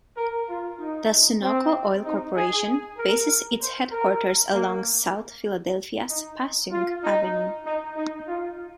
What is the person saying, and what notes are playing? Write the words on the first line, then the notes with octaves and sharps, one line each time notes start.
The Sunoco oil corporation bases its headquarters along South Philadelphia's Passyunk Avenue.
A#4
F4
D#4
C4
D#4
G#4
A#4
C5
A#4
A#3
D#4
F4
D#4
D#4
D#4
F4